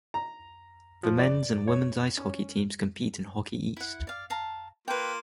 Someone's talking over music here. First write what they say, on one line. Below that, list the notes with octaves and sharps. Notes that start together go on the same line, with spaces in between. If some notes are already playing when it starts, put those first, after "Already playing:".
The men's and women's ice hockey teams compete in Hockey East.
A#5
F3
D5
C#5
C#4
E4 F#5
D5 F5
F5 A5 A#5
A#3 F4 B4 G5